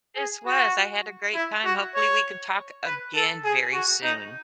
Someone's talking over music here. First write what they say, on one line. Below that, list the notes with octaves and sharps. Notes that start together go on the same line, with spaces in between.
This was, I had a great time, hopefully, we could talk again very soon.
G#4
F#4
E4
F#4
C#5
B4
A4
G#4
F#4
D#4